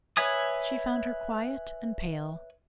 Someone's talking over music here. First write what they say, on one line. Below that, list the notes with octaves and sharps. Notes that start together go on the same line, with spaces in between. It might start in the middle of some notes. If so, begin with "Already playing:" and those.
She found her quiet and pale.
B4 C#5 E5 G#5 D#6